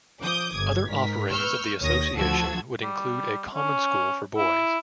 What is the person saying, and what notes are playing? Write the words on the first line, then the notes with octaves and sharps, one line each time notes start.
Other offerings of the association would include a common school for boys.
F3 D6 D#6 G6
G1 G#6
G#2 A#4 B6
B4 C#6 E6 F6 G6
D#2 C#5 D#6 A#6
D2 F3 F#4 A5 E6 G#6
G3
C#4
E4